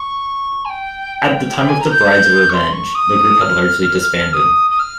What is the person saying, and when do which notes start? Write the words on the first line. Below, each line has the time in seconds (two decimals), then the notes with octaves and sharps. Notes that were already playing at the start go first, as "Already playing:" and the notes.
At the time of The Bride's revenge, the group has largely disbanded.
Already playing: C#6
0.65 G#5
0.69 G5
1.57 G5
1.69 G#5
1.80 A#5
1.91 G6
2.49 C#6
2.54 C6
2.72 C#6
2.95 D#6
3.41 F6
4.33 D#6
4.71 D#6
4.79 F6